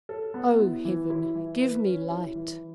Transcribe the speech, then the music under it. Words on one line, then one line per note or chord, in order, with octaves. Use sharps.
Oh, Heaven, give me light!
A4
B3
E4
E3
E4
E3
B4
C#4
E4
E3